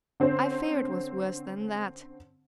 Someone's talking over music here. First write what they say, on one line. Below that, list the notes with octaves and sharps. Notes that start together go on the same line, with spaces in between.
I fear it was worse than that.'
D3 C4 C#4 C5